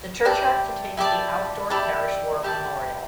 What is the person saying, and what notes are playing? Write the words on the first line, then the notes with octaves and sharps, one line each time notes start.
The churchyard contains the outdoor parish war memorial.
E4 G4 D5 A5
E4 G4 D5 A5
E4 G4 D5 A5
E4 G4 D5 A5